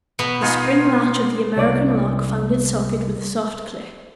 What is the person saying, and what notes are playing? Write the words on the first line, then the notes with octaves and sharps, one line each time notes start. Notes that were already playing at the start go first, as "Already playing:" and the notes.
The spring-latch of the American lock found its socket with a soft click.
B2 B3
D#4 F4 G#4
C2 C#5 D5